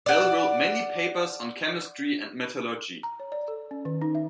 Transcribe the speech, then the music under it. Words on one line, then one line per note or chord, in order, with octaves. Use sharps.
Bell wrote many papers on chemistry and metallurgy.
D5 F#5
A#5
C#5
D5
A4
C#4
D#3
D#4
E5